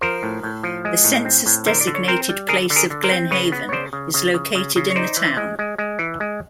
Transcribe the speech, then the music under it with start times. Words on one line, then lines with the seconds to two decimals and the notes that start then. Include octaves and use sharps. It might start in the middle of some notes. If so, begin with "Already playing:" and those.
The census-designated place of Glen Haven is located in the town.
0.01 F3 A#4 C5
0.23 A2
0.43 A2
0.63 F3
0.85 G#3
1.04 A2
1.25 C4
1.46 A2
1.66 D3 A#4 C5
1.81 D5
1.87 D3
1.94 C#5
2.08 C4 A#4 C5
2.29 G3
2.49 D3 G#4 A#4
2.70 D3
2.76 G#4 A#4
2.90 D3
3.04 A#4 C5
3.12 C4
3.31 C#3 B4 C#5
3.52 B3
3.69 C#5
3.72 C#3 C5 D5
3.93 C#3
4.14 C#3
4.34 C#3
4.55 C#3
4.76 C#3
4.91 C#5
4.96 D#4 C5 D5
5.17 E3
5.37 G#3
5.59 G#3
5.78 G#3
5.99 E3
6.20 G#3